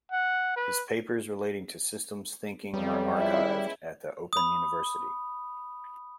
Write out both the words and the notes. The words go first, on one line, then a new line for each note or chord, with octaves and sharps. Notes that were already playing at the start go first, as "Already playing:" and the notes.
His papers relating to systems thinking are archived at the Open University.
F#5
B4
F2 C#3 F#3 G3 B3
G#3 C#4 E4
B5 D#6